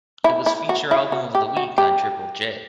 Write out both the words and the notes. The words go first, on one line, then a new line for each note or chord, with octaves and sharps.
It was Feature Album of the Week on Triple J.
E4
E4
F#4
E4
F#4
G4
F#4
G4